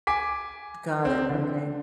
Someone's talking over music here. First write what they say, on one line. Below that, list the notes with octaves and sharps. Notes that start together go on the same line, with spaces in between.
Got it, okay.
G#5 D6 B6
C4
D3